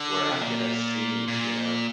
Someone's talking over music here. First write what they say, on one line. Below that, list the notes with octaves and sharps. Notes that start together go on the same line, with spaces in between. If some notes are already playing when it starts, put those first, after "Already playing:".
where I'm gonna see, you know,
Already playing: D3
C3
A#2
A#2